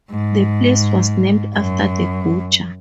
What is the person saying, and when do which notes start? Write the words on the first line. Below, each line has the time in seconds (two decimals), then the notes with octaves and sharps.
The place was named after the Gujar.
0.11 G#2
1.56 F#2